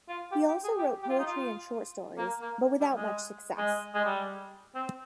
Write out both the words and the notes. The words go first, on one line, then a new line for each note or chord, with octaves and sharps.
He also wrote poetry and short stories, but without much success.
F4
G4
G4
G#4
G4
G4
F4
D#4
F4
A#3
A#3
G3
G#3
G#3
G#3
G3
C4